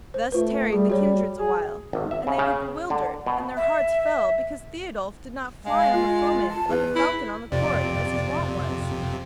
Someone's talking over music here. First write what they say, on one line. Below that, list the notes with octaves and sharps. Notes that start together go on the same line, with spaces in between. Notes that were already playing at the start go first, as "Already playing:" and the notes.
Thus tarried the kindreds awhile, and they were bewildered and their hearts fell because Thiodolf did not fly on the foemen like a falcon on the quarry, as his wont was.
C5
A3 F4 B4
G3 G#4
G3 F#4 C#5 D5
G#4
G#1
E5
C#3
C#3
D3
B2
E5
G#3 F5
F4
A5
E2 B4
E4
F2 C3 D5